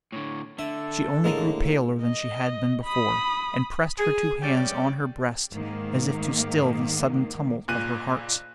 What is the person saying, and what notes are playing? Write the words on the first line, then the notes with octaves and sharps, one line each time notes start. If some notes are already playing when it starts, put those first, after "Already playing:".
She only grew paler than she had been before, and pressed her two hands on her breast, as if to still the sudden tumult of her heart.
A2 D3 C#5
D3 A4 E5
A2 G#3 A#3
D#5
B5 D#6
G#4
C#3 G3 G4 C#5 D5
G#2 D#3 A#3
F#1 A#2 F#6 D#7